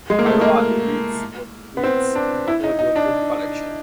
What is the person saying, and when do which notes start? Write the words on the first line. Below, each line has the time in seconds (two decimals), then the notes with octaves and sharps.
Ayoade reads "The Twits" in the audiobook collection.
0.10 G#3
0.19 A#3
0.26 A3
0.41 A#3
1.77 B3
1.83 C4
2.15 D4
2.48 E4
2.64 D#4
2.79 D#4
2.96 D4